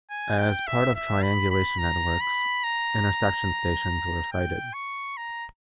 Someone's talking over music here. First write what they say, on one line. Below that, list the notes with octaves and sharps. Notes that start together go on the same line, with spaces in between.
As part of triangulation networks, intersection stations were sighted.
G#5
G5
E5
E5
B5
B5
A#5
B5
A#5
G5
C#6
A#5